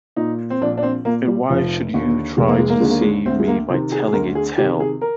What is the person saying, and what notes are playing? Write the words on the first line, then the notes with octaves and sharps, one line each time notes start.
And why should you try to deceive me by telling a tale?
A#2 D#4
C4
A#1 D4
D4
C4
A#2 A#3
G3
F1 F3
D#2 D3
F1 G#3
A#3
G#3
A#3
D#2 D3 G#3
A#3
G#3
D2 C4
G#3
A#3
C3 D#3 C4
G#4
G#4
D2 A#4
G#4
C3 D#3 G4
G#4
A#4